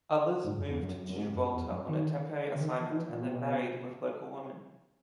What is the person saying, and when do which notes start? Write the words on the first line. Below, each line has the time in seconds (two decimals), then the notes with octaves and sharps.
Others moved to Gibraltar on a temporary assignment and then married with local women.
0.44 G#2
0.57 F#2
0.69 E2
0.81 F#2
1.09 F#2
1.16 G#2
1.34 F#2
1.53 E2
1.71 F#2
1.88 D#3
2.55 C#3
2.60 D#3
2.79 E3
2.91 D#3
2.97 E3
3.09 A#2
3.21 B2
3.32 B2